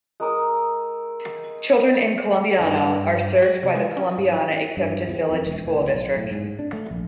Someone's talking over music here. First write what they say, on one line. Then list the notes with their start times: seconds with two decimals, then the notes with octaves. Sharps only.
Children in Columbiana are served by the Columbiana Exempted Village School District.
0.20 G#3 A#4 D#6 E6
2.58 G2
3.42 F#4
3.63 C3
3.75 G#3
3.97 C#4
4.18 G#2
4.35 F#6
4.77 G2
5.09 E2
5.31 F2
5.47 E1
5.67 A2
5.80 D2
5.95 B1
6.16 A2
6.31 G#2
6.59 D4
6.73 A3
6.91 A#1